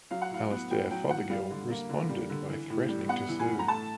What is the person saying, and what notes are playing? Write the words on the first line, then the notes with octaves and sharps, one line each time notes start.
Alastair Fothergill responded by threatening to sue.
F#3 F5
F#5
A2 F5
B3
A2 G5
F#3 G5
A2 F#5
G3 F5
D3
A#3
D3
G3
D3
E3
A2
G3
B3 F#5
E3
G#5
A2
A#5
A3 A5